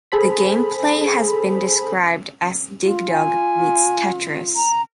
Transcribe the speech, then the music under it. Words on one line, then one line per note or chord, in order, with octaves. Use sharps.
The gameplay has been described as Dig Dug meets Tetris.
G#4 A4 C5 B5
F4
G#5
A#5